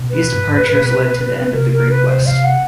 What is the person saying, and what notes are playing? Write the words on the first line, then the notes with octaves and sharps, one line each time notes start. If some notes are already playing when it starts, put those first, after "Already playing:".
These departures led to the end of the Great West.
Already playing: B2
B4
G2
G#2
A2
A#2
B2
C3 A#4
A#4
B4
C5
F5
F#5